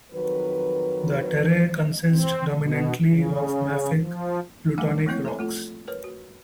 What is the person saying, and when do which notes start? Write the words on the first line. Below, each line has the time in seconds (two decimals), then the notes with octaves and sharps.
The terrae consist dominantly of mafic plutonic rocks.
0.12 F2 D#3 F#3 B4
2.08 C4
2.53 B2
3.06 C#3
3.98 F3
4.78 G3 A3 D#4 F5 G#5 D6
5.06 F3 A3 A#3 C4 E4 C#5
5.25 A4 C#5 G#5
5.39 A3 F4 A4
5.88 A#4 B4 C#5
6.04 F#4